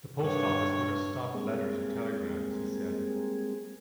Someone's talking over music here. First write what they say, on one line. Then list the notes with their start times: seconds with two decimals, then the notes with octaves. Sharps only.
"The Post Office would have stopped letters or telegrams," he said.
0.21 G2 C#5
1.34 G3 G#3 A#3 C4 G#4